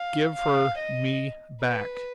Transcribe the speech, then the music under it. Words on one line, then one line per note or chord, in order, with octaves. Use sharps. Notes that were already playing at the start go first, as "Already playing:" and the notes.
"Give her me back."
Already playing: F5
F5
D#5
B4